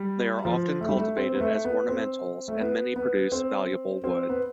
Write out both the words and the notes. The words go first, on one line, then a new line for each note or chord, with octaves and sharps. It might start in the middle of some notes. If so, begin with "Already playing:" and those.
They are often cultivated as ornamentals and many produce valuable wood.
Already playing: G3
F3
A3
G3
A3
C4
B3
A3
B3
C4
A3
B3
B3
C4
C4
B3